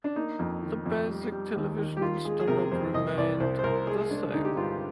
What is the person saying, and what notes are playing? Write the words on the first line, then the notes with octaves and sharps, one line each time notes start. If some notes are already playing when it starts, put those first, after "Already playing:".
The basic television standard remained the same.
D4
A#3 D#4
F2
D#3
F2
G3
G3
D#2
D#3
G4
D#3 F4
G#3 G#4
G#4
C3 A#4
F2 C5
C2 D#5
C2 D5
C2 C5
C5
C2 A#4
G#3 G#4
G#3 D4
D3 D#4
G4
G2 F4